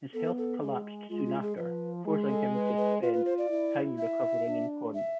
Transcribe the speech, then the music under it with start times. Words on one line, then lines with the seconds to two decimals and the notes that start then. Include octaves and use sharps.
His health collapsed soon after, forcing him to spend time recovering in Cornwall.
0.14 B3 A4
0.38 A4
0.62 G#3 G#4
1.10 G#3 F4
1.26 F4
1.42 G#4
1.57 F3 B4
2.05 G#3
2.30 A4
2.54 B4
2.78 B4
3.02 F4 B4
3.13 B4
3.25 C5
3.38 D5
3.50 E4
3.98 E5
4.46 D4
4.95 E5